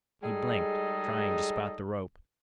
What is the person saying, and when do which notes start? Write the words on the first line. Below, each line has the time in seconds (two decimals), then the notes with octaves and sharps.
He blinked, trying to spot the rope.
0.23 G3 G#3 D#4 G#4 A4 D#5